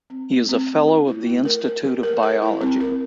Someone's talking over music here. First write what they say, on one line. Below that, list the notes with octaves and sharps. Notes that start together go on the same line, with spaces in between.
He is a Fellow of the Institute of Biology.
C4
A3
C4
A3
F4
E4
A3
A#4
A#4
G4
A#4
A#4
E4
C4
A#4